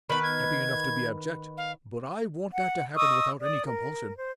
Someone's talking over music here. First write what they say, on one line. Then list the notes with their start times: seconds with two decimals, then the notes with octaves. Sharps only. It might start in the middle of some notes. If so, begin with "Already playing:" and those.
I'm happy enough to be abject, but I want that to happen without any compulsion.
0.10 D#3 B3 B4 B5
0.23 G#6
1.57 F5
2.52 F#5
2.94 D#5 C#6 D#6 E6
3.41 D5 D#6
3.64 A#4
4.16 C5